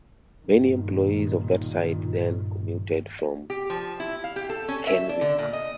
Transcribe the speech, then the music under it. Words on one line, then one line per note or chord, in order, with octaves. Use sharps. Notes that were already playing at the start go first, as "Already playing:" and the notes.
Many employees of that site then commuted from Kennewick.
G2 A#2 D#3
G4
F3
E4
F5
G4
A4
C#4
E5
D4
D3
A#2
D#5